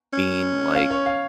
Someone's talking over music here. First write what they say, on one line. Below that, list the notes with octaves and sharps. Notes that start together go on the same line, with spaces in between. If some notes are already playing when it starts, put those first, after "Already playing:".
being, like,
C#4
F5
C#5
F5